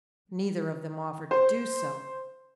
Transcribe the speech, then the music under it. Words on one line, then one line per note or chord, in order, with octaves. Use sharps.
Neither of them offered to do so.
C5